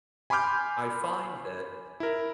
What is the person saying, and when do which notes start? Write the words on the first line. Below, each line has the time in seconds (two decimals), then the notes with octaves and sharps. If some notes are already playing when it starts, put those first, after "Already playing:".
I find that
0.30 G#5 B5 C6 D6 F6 G6
2.00 E4 A#4